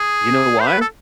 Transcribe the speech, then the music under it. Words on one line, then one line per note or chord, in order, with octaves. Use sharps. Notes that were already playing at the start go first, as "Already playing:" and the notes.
you know why?
Already playing: G#4
C5
B4
A4